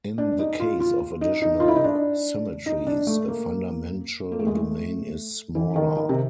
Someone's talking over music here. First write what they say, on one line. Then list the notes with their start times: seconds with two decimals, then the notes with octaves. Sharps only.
In the case of additional symmetries a fundamental domain is smaller.
0.18 D4
0.39 D#4
0.60 F4
0.80 F4
1.21 D#4
1.42 D#4
1.60 F4
1.68 E4
1.76 D#4
1.84 D4
2.66 D#4
2.87 D4
3.07 A3
3.28 A#3
4.32 A#3
4.39 A3
4.47 G#3
4.55 A3
5.55 E3
5.76 D#3
5.97 D#3
6.09 C3